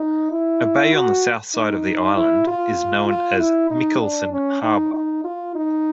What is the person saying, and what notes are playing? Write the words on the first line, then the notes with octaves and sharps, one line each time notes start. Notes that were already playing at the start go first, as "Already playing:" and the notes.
A bay on the south side of the island is known as Mikkelsen Harbor.
Already playing: D#4
E4
F#4
D#4
E4
F4
F4
E4
D#4
D4
C#4
D#4
D#4
F4
D#4